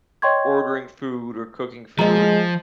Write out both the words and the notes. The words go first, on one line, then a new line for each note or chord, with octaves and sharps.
ordering food or cooking food,
C#5 D#5 G5 C6 C#6 G#6
F3 G#3 D#5 A#5